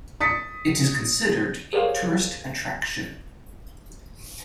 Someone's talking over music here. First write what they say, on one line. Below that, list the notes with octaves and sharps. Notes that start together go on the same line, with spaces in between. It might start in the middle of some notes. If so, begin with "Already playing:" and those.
It is considered a tourist attraction.
D#6 A6 B6 C#7
G4 G#4 A#4 C5 C#5 F5